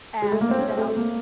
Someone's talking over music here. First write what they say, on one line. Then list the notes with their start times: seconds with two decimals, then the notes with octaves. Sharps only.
and then I'll just
0.22 G#3
0.32 A3
0.41 A#3
0.51 C4
0.59 C#4
0.69 C4
0.77 A3
0.88 A3
0.97 A#3